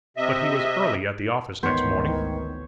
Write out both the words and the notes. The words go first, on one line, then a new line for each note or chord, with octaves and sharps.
But he was early at the office next morning.
C3 D#5 E5
G#1 D2 D#3 E3 B3 C5 C#5